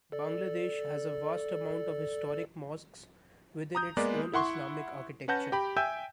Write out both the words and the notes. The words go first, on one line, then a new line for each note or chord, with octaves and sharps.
Bangladesh has a vast amount of historic mosques with its own Islamic architecture.
A4 D5
A#5 D#6 G6
G#3 A#3 B3 B4 D5
E4 F#5 C6 C#6
C#4 B4 F#5 A5 G6 A#6
G4 G5 B5
E5 G5 G#5 E6 G6